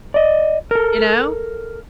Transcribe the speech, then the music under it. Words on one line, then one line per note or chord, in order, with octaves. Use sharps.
You know?
D5 D#5
A4 A#4